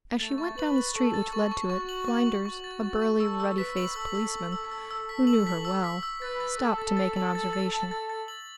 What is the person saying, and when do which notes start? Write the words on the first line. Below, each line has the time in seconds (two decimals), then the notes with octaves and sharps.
As she went down the street which led to it, Blinders, a burly, ruddy-faced policeman, who knew her well, stopped to make an observation.
0.19 A3 A6
0.38 C#6
0.57 B4 F#7
0.76 F#7
0.95 A4 C#6
1.14 A6
1.32 A4 C#6
1.51 C#6
1.70 F#4 C#6
1.89 F#7
2.08 C#6
2.27 C#6
2.46 F#4 C#6
2.64 A6
2.83 C#6
3.02 C#6
3.20 A4 E6
3.40 E6
3.58 B4 B6
3.77 F#7
3.96 A4 E6
4.15 E6
4.33 E6
4.52 E6
4.72 E6
4.91 E6
5.09 B6
5.27 F#7
5.47 B6
5.65 E6
5.84 B6
6.03 E6
6.22 B4 A6
6.40 A6
6.59 A4 A6
6.78 A6
6.97 A6
7.16 F#7
7.35 A6
7.53 A6
7.72 A6
7.91 A6
8.10 A6
8.28 F#7